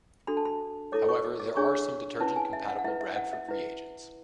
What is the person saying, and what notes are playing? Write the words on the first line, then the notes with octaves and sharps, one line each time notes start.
However, there are some detergent-compatible Bradford reagents.
D4 F#4 A4 B5
A5
B5
E4 A4 C#5 D6
C#6
D6
D6
D4 G#4 C#5 C#6
C#4 E4 B4 A5
G#5
E5
F#5
F#5
E4 B4 E5
E5
F#5
E5
E4 B4